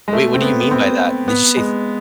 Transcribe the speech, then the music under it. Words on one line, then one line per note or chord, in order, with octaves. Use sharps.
Wait, what do you mean by that? Did you say
G#3
A3
C4
B3
B3
C4
B3
G#3